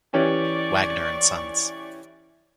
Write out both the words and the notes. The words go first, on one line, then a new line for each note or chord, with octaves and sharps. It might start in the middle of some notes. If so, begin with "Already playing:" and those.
Wagner and Sons.
E3 C#4 G4 D5 C#6